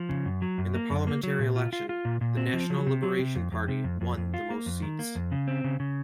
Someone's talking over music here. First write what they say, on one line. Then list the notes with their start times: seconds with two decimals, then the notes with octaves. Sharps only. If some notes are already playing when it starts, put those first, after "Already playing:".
In the parliamentary election, the National Liberation Party won the mosts seats.
Already playing: F3
0.09 C#3
0.25 F#2
0.42 F#3
0.58 F#2
0.74 A#3
0.90 F#2
1.07 A#3
1.23 F#3
1.39 A#2
1.56 F4
1.73 F4
1.89 F4
2.05 A#2
2.21 A#2
2.37 C4
2.54 F3
2.70 F#3
2.87 C3
3.03 F#3
3.19 C3
3.35 F2
3.52 F2
3.68 C3
3.84 F2
4.01 F2
4.17 F2
4.34 F4
4.50 A#3
4.66 F2
4.82 D#3
4.99 A#3
5.15 F2
5.32 C#3
5.47 C4
5.64 C#3
5.80 C#3